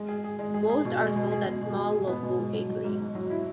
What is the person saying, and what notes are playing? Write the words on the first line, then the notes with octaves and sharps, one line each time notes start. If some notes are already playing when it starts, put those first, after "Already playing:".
Most are sold at small local bakeries.
Already playing: G#3
G#4
G#4
G#3
G#4
G#4
B2
G#3
B2
G#4
B2
B2
B2
G#4
B3
B2
G#2
F#3
F#3
G#2
G#2
F#3
E4